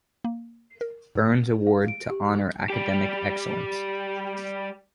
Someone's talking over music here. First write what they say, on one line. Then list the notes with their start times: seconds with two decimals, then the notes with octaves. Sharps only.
Burns Award to honor academic excellence.
0.24 A#3
0.81 A#4
1.15 G#2
1.67 F5
1.88 D7
2.10 G4
2.70 G3 G4